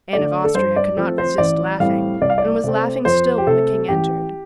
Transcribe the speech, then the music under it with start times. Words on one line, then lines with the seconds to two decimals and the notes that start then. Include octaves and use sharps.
Anne of Austria could not resist laughing, and was laughing still when the king entered.
0.13 D3 A3 D5
0.44 A4
0.55 G2 C5
0.76 D5
0.97 F3 A3 C4 A4
1.18 C5
1.38 A1 D5
1.80 A2 G3 C4 F5
2.21 C2 D5
2.30 F5
2.38 D5
2.64 C3 A3 C4
3.05 F2 C5
3.38 G4
3.47 C3 A3 A4
3.88 A1 G4